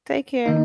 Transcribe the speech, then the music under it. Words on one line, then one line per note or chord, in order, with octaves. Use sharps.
take care.
D#3 A#3 D#4